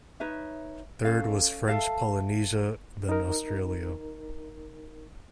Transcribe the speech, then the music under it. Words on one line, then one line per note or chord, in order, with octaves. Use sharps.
Third was French Polynesia then Australia.
D#4 B4 C#5 E5
C#4 A4 F5
A4 E5 F5 A5
D#4 A#4